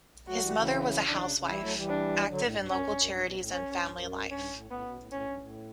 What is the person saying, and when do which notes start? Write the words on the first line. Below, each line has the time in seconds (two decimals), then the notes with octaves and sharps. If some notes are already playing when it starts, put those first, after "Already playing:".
His mother was a housewife, active in local charities and family life.
0.27 F#3 A3 F#4
0.41 E3 G3
0.54 C#3 E3
1.08 C#3 E3 D4
1.21 C#3
1.36 C#3
1.48 E3 G3 E4
1.61 F#3 A3
1.75 E3 G3
1.89 D4
2.29 D3 F#3
2.43 A2
2.55 G2
2.69 F#2 C#4
2.83 G2
2.96 F#2
3.09 G2
3.24 B2
3.37 A2
3.50 F#2 C#4
3.68 F#2
3.77 G2
3.90 F#2
4.31 G2 C#4
4.51 A2
4.71 A2 B3
4.85 B2
4.98 A2
5.12 A2 C#4
5.25 G2
5.38 A2